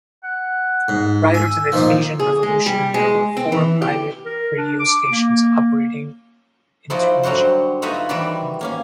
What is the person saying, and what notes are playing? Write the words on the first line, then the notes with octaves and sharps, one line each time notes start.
Prior to the Tunisian revolution there were four private radio stations operating in Tunisia.
F#5
G#2
G#5 E6
A#2 D#3 F3
G#4
G#3
G3
G#3
C4
E3
G4
A#4
D4
D6
A#3
F3 D#4 E4 F#4 C5 D5
D3 F#3 G3 F#4 C5
A3 D#4 F4 F#4 B4 E5
D#3 E3 G3 F#4 D5 E5
A#3 C#4 F5